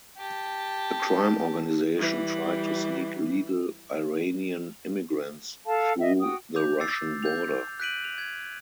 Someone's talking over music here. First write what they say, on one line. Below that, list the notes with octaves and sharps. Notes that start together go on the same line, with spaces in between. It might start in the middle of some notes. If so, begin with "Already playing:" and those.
A crime organization tried to sneak illegal Iranian immigrants through the Russian border.
G4 A5
E3 G3
A4 F5 A5
D#5 E5
F#4 G5 D#6
D6 G6 F7
D6 E6 A6 C7
G6 F7
F#6 G6 B6 D7 D#7 F#7
F7
G#6